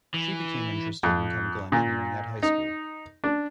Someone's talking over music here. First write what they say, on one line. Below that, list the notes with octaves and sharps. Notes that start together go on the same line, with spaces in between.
She became interested in chemical engineering at high school.
E3
F2
A#2
D#4
D4